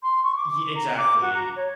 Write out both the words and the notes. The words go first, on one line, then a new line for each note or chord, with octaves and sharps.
ye exactly.
C6
C#6
D6
A#5
D6
F#4
A#5
C#5